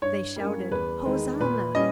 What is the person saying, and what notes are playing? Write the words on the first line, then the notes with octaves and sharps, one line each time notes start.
They shouted, "Hosanna!"
G2 C#5
G3 A#3 C#4
E2 B4
D#3 G#3
A#2 B4
G3 C#4 D#5